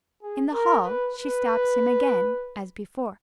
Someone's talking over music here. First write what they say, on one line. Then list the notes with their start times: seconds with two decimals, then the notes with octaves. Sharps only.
In the hall she stopped him again as before.
0.22 G#4
0.53 A#4
0.84 B4
1.15 B4